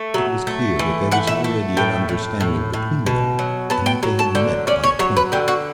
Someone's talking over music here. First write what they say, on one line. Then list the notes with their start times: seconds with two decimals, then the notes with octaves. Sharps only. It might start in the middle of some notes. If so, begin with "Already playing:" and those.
It was clear that there was already an understanding between them and that they had met by appointment.
Already playing: A3
0.14 F#3
0.47 A3
0.79 E3
1.11 A3 F#5
1.27 E5
1.44 A3
1.77 A2 G5
2.09 A2
2.41 A2
2.73 A2
3.06 B2
3.39 F#3
3.70 B3 A5
3.86 G5
4.03 F#3
4.19 A5
4.35 D3 G5
4.67 C#4 D5
4.84 C#5
4.99 F#3 C#5
5.17 B4
5.32 D3 G4
5.48 F#4